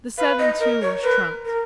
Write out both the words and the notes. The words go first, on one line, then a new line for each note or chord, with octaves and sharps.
The seven too was trumped.
B4 F5
D#5
A#4 D#5
C#5
A#4 B4
A#4